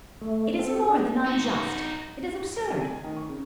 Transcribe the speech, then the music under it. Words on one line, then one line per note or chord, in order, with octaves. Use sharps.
It is more than unjust--it is absurd!
A3
C4 A4
D4
D#4 F#4
A#4
C3
G#5
D#3
C#6
C#3